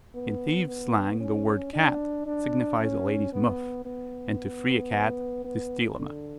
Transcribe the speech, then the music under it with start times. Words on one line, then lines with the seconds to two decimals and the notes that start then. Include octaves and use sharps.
In thieves' slang the word "Cat" signifies a lady's muff, and "to free a cat" to steal a muff.
0.15 B3
0.68 B3
1.20 C#4
1.73 D4
2.26 D4
2.79 C#4
3.33 B3
3.85 B3
5.44 B3
5.97 D3